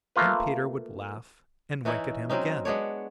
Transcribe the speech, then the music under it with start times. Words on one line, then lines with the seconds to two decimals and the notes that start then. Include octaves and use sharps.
Then Peter would laugh and wink at him again.
0.16 A3 A#3 F4 B4
1.85 E3 C#4 D#4 E4
2.30 F#3 C4 C#4 D#4
2.65 G#3 B3 D4 C#5